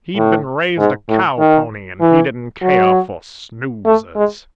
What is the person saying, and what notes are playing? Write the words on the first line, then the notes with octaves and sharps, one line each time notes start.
He'd been raised a cow pony and he didn't care for snoozers.
A2
G#2
A2
D#3
E3
F#3
A3
G#3